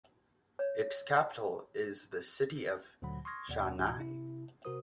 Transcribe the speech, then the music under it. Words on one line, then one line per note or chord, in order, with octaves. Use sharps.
Its capital is the city of Chania.
C#5
D2 A#2 D3 F#3 F#5 B5
C6 C#6 D#6 F6 G#6 A#6
D#2 B2 D5 F#5
C#2 G#2 E3 G#5 A#5
C3 E4
C3 F#4 A#4 C5 D#6